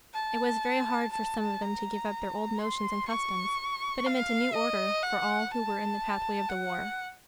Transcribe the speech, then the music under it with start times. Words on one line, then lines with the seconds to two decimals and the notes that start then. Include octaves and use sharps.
It was very hard for some of them to give up their old notions and customs, but it meant a new order for all who were in the pathway of the war.
0.14 A5
1.12 A5
1.61 A#5
2.59 C6
3.08 C#6
4.06 F5
4.54 D#5
5.03 F#5
5.52 A5
6.49 F#5